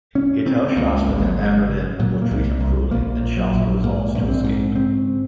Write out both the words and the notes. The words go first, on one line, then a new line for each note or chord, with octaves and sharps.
He tells Shasta that Anradin will treat him cruelly, and Shasta resolves to escape.
C#3 C#4
C#3 C4
C4
C#2 A#3
G#1 A#3
G#3
F#3
C#3 G#3
C#3
A#2 F#3
A#3
C2
C2
A#1 A#3
A#2
F#3
A#1
G#2 A#3
A#1
A#3
C4
G#2
C#3 C4